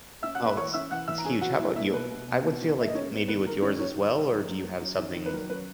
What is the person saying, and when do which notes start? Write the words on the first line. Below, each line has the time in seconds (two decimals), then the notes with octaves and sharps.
Oh, it's it's huge. How about you? I would feel like maybe with yours as well, or do you have something
0.23 C#4 E5 E6
0.35 F#5 F#6
0.40 A#3
0.46 B4 B5
0.57 E3 C#5 C#6
0.73 C#4 E5 E6
0.91 E3 F#5 F#6
1.08 E3 E5 E6
1.18 A#5
1.25 C#4 G#4 G#5
1.41 E3 F#4 F#5
1.58 B2 E4 E5
1.75 A#3 E4 E5
1.93 B2 B4
2.10 B2
2.27 B2
2.44 B2
2.61 C#4
2.77 A#3 E5
2.88 D#5
2.95 G#3 C#4 C#5
3.12 B3
3.28 D#3 B4
3.45 G#3 A#4
3.62 D#3 C#4 C#5
3.79 D#3 C#4 C#5
3.96 D#3
4.13 D#3
4.31 F#3
4.48 F#3
4.64 F#3
4.82 C#4
4.98 D#3
5.15 D#3
5.26 B4
5.33 F#3 A#4
5.49 C#4 B4